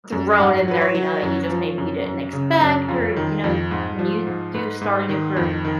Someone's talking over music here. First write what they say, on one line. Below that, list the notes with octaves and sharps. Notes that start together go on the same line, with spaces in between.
thrown in there, you know, that you just maybe you didn't expect or, you know, when you do start a new career,
F#2
G#2 F#5
F#3 B4
C#5
F#3
F#2
F3
F#2
F#2
C#3
F#2
F2 F4
D#3
F2
G#2
F3
G#2
G#2 B4
G#2
D#3
F2
D#3